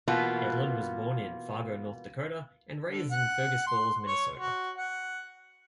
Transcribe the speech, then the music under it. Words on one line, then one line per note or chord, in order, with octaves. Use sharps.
Edlund was born in Fargo, North Dakota and raised in Fergus Falls, Minnesota.
B2 E3 A#3 B3 F4
D3
F#5
C6
C#5
F#4
F#5